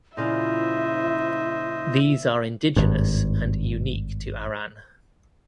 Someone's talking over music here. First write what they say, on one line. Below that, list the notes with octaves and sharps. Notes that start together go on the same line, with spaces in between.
These are indigenous and unique to Arran.
A#2 C#3 F3 E4 C5 D#5 E5
G#1 G2